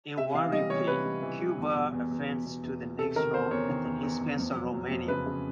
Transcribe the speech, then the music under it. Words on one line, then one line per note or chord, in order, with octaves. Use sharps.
In one replay, Cuba advanced to the next round at the expense of Romania.
C3 E5
E3 F5
G3 D#5
E3 C#5
C3 B4
G3
E3
G3
E2
B2
E2
E2
B2
B2
E2
B2
C3 A4
D#3 A#4
E2 C5
E2 C#5
D#3
E2
E2
E2
F2
F#3
F#3
F2
C#3 B4
C#3